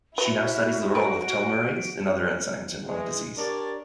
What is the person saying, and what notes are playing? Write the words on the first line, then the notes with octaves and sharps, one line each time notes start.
She now studies the role of telomerase and other enzymes in lung disease.
E4 F#4 B4
G4 B4 C#5 F#5 D7
E3 G#3
D4 G4 A#4 C#5 D5